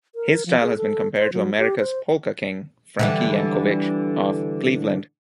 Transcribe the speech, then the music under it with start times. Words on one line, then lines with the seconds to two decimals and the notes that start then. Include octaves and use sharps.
His style has been compared to America's Polka King, Frankie Yankovic of Cleveland.
0.15 A#4
0.46 F3
0.61 G#4
0.77 A4
1.16 C5
1.33 F#3
1.58 G4
1.80 C5
2.99 D3 E3 G3